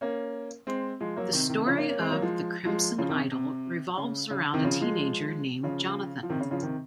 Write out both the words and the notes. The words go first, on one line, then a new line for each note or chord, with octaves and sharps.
The story of "The Crimson Idol" revolves around a teenager named Jonathan.
A#3 C#4
G#3 C4
F3 G#3
F#3 A#3
C3 D#3
C3 D#3
C#3 F3
A#3 C#4
A#3 C#4
G#3 C4
F#3 A#3
F3 G#3
F3 G#3
C#3 F3
C3 D#3
C3
C#3
C#3
C3 D#3
C#3 F3
F3 G#3
C#3 F3
F3
C3 D#3
C#3
C#3 F3
C3 D#3